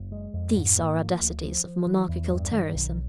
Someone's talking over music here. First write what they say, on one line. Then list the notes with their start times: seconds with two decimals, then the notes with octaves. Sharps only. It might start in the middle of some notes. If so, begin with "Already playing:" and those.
These are audacities of monarchical terrorism.
Already playing: F#1
0.12 G#3
0.34 F2
0.55 G#2
0.77 A#3
0.99 F3
1.21 D2
1.43 F3
1.65 F3
1.86 E3
2.09 E2
2.30 G2
2.52 D#3
2.74 B1